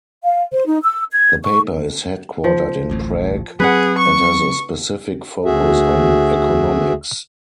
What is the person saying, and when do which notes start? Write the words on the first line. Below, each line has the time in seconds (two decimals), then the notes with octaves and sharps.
The paper is headquartered in Prague and has a specific focus on economics.
0.24 F5
0.52 C5
0.66 D#4
0.83 E6
1.12 G#6
1.44 C#6
2.44 F3
2.90 D1 A1 A2
3.60 F#3 C4 G#4 B4 F#5
3.98 C#6
5.45 D2 F#4 G#4 E5